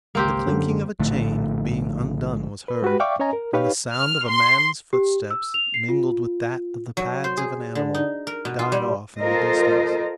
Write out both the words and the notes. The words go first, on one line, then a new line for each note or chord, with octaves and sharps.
The clinking of a chain being undone was heard, and the sound of a man's footsteps, mingled with that of the pads of an animal, died off in the distance.
G#1 C#2 A#3 C4 G4
F#2 D3
A#1 A2 D3 A3
B4
G#3 F#4 G4 B4
D5 E5 F5 G5 C#6 D6
C#4 C#5 D#5 G#5 A#5
A#4
D#4 G4 B4 C#5 F5
F6
C6
G4
E6
F7
C7
F4
F#3
C5
G#4
D3
D#4
A#4
B2
F4
G3
F4 A4 A#4 C5 D#5